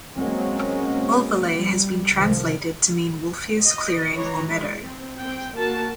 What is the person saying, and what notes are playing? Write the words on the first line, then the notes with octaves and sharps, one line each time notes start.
Ulverlei has been translated to mean Wulfhere's clearing or meadow.
F#3 G#3 A#3 C4 C#4
G3
C2 D#3 F3
D#5
E3 C#5 A#5
G#3
C4
C4 G5
A#3 F#4 A5